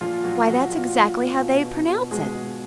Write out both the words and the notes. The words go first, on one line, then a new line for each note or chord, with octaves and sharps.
"Why, that's exactly how they'd pronounce it!"
A#2 F3 F4
A#2 F#3 F#4
F3 F#3 F#4
A#2
A#2
A#2
B2
B2
B2
B2 G#3 G#4
B2